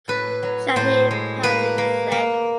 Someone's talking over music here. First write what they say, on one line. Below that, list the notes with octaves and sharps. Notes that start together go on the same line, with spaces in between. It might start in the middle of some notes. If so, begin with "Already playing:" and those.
Shaheen Public Sec.
A2 B4
F#3
A2 C5
G#3
A#3 B4
A#3
A#3